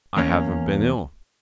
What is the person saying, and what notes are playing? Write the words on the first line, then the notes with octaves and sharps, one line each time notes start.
"I haven't been ill."
E2 A#3 C#4